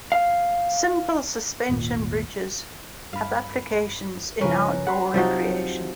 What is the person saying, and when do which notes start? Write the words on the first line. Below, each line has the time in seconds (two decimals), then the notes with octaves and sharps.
Simple suspension bridges have applications in outdoor recreation.
0.12 F5
1.69 D#1 G#1 A#2
3.13 G2 F5 B5
4.41 G2 C#3 F3 C#4 A#4 B4
4.87 F#5 B5 C6
5.14 C2 C3 F3 F#3 D#4 F#4